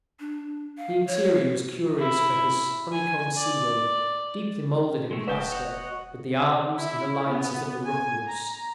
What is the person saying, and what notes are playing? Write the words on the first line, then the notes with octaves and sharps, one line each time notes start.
The interior was curious for his honeycomb ceiling, deeply moulded in plaster, with the arms and alliances of the Rookwoods.
D4
F5
C#5
E4
G#5
D5
B2 G#3 A3
D1 F#4 B4 D#5 E5 G5 A5
E1 C#5 F#5
E4
B3
G#5
A#5